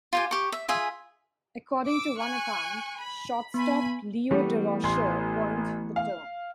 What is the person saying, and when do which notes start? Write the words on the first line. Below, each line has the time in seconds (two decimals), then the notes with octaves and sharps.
According to one account, shortstop Leo Durocher coined the term.
0.13 F4 G4 G#5
0.31 G4 C#6
0.52 E5
0.68 F4 G#4 E5 G#5
1.86 D6 E6
2.18 G#5 C#6 F#6
2.99 B5
3.54 B3 G#5 B5
4.31 E3 G3 A3 B3
4.84 A1 C6
5.96 F5